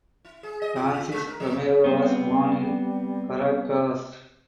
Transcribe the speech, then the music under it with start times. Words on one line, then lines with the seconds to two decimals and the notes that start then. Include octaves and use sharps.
Francis Romero was born in Caracas.
0.25 E4
0.43 G#4
0.62 D#5
0.76 F4
0.93 F4
1.12 G#3
1.27 A#4
1.40 F#3
1.84 G3 B3 C4